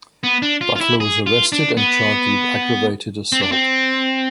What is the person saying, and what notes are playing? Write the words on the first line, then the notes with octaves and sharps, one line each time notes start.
Butler was arrested and charged with aggravated assault.
B3
D4
F4
F4
E4
G#4
F4
D4
B3
C4
D4
C4